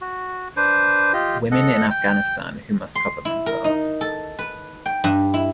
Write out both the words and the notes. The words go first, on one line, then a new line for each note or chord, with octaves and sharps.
Women in Afghanistan who must cover themselves.
F#4
D4 B4 C5
F4 G4 D#5
A4 D#5 F#5
G5
C6
E4
A#4
D#4
A4
B4
G5
G2
E4